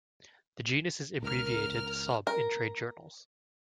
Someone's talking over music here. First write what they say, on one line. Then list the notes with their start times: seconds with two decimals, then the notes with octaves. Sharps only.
The genus is abbreviated Sob in trade journals.
1.23 C#2 A#4 F6
2.27 A#4